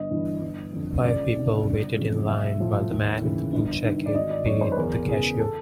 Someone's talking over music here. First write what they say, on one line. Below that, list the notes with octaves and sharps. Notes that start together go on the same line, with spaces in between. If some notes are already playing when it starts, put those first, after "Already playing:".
Five people waited in line while the man in the blue jacket paid the cashier.
Already playing: G1 D#5
G2 E3
G1
F2 D3
C#2 D5
C3 D#3
G1
F2 C#3 E3
B1 E5
A2 F3
D#2
C#3 E3
G1
G2 D#3
D5
G#1 D#5
D5
F#2 D#3 C#5
C5
B4
E2 A#4
C#3 E3 G#4
A4